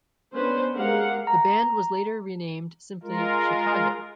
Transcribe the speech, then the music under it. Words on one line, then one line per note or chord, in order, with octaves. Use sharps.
The band was later renamed simply Chicago.
B3 C#4 D4 B4 C5
G#3 G4 A#4 F5 F#5
A#5
G#3 F4 A#4